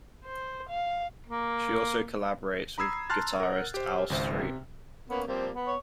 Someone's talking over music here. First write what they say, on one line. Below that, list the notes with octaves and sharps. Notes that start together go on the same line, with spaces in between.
She also collaborates with guitarist Al Street.
C5
F5
A#3
A#5 B5 D#6 E6 G#6 C7
A5 A#5 C6 F6 F#6 A6
A#4 F#5
G4 C5
G#1 C#2 C5 E5
C3
A#3 B3 C#4
F3 G3 A#3 C4
B3
C#5